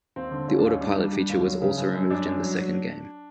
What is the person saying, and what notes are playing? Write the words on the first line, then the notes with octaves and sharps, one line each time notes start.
The auto pilot feature was also removed in the second game.
D#2 C4
D3
D#2 C#4
D4
D#2 C#4
G3 D4
D#4
G3 D4
G3
D#2
F#3
C#3
F#2
F#2
F#2 D4
F#2
F#3
F#3